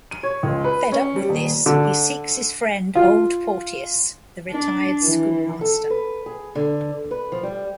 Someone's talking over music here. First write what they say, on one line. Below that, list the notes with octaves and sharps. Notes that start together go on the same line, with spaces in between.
Fed up with this, he seeks his friend Old Porteous, the retired schoolmaster.
D#7
C#5
C#2
B4
C#4
G3
D#1
D3
F4
D4
E3
A4
B4
G#4
D3
B4
F3
G3